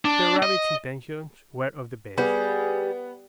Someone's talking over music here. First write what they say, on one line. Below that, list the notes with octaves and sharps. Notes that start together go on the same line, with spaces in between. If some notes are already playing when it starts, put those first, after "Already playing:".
Peter Rabbit's intentions were of the best.
D4
D#5
G3 B3 G#4